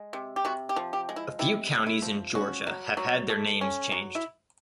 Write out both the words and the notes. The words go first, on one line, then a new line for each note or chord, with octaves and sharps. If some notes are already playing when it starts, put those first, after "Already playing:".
A few counties in Georgia have had their names changed.
Already playing: G#3
C3
G4
C3 F#4
G4
F3
G4
G#3
E4
C3 E4
C3
E4
F3
C#4 F#4
F#3
F#3
A3
C#4
F#3
E4